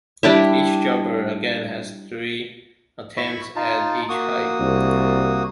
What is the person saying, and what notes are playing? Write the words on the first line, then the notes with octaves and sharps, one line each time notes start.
Each jumper again had three attempts at each height.
G3 D4 E4 E5
E4 B5 C#6
D#4 F4 A5
A#3 F#4 D#6
C2